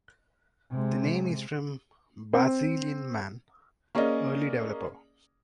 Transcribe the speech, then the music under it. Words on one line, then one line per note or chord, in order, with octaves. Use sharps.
The name is from Barzillian Mann, early developer.
C3 G#3
C4
A#3 C#4 G#4 D5 D#5